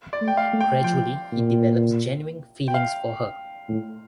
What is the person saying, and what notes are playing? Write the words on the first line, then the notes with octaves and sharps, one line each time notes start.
Gradually, he develops genuine feelings for her.
D5
A3
G5
F5
A3
G5
F3 G5
A#2
G5
F5
A2